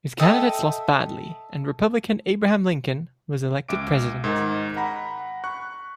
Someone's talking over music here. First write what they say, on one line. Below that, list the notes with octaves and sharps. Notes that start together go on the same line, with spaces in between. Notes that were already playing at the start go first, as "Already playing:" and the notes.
His candidates lost badly, and Republican Abraham Lincoln was elected president.
A4 D#5 E5 G5
C#2 E5 D6 D7
G#2 D#3
F#5 A#5 B5
C#6 F#6